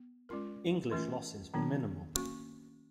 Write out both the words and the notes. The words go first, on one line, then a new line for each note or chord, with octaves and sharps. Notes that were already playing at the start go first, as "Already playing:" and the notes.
English losses were minimal.
Already playing: B3
G#3 C#4 F4 A#4
E3 A3 C#4 F4
D#3 F#3 B3 D4
A#3 C#4 F#4